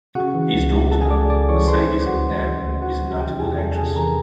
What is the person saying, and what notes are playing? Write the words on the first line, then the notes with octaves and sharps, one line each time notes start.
His daughter, Mercedes McNab is a notable actress.
C#3 F#4 F#5
E3
C#2
C#2
C#2 A4 A5
G#4 G#5
C#2 D5 D6
C#2 D5 D6
E3 C#5 C#6
C#3 C5 C6
D2
D2 F#4 F#5
E3
C#3
D2
D2 F#4 F#5
C#3
C3 G4 G5
E2 G#4 G#5
E2 A4 A5
C3 G#4 G#5
E3 A#4 A#5